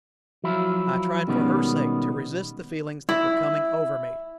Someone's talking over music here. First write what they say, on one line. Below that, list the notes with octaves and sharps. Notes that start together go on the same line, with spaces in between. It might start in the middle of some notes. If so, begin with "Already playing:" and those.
I tried for her sake to resist the feelings that were coming over me.
F3 F#3 E4 F4
B2 D#3 G3 G#3 B3 C#4
E4